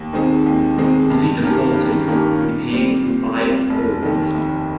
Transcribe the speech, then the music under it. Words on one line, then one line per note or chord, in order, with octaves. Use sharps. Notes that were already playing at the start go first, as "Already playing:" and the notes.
If he defaulted, he paid fivefold.
Already playing: D#2
D#3 G#3 C4 D#4
D#2
D#3 G#3 C4 D#4
G2
D#3 A#3 C#4 G4
G2
D#3 A#3 C#4 G4
A#2
G3 C4
A#2
G3 C4
F1
D#2 D#3
F1